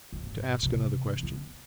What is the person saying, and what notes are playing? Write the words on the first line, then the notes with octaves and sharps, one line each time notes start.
To ask another question.'
A1 G#2
C3 E3
B3 D4